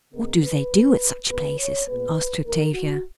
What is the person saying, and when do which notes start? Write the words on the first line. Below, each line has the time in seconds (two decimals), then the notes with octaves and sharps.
"What do they do at such places?" asked Octavia.
0.13 C#3 G#3 B3 A#4
0.41 B4
0.71 D#3 A#3
1.29 C#3 G#3 B3 B4
1.58 C#5
1.87 A#2 G#3 B3 B4
2.44 D#3 A#3 A#4
2.74 F#4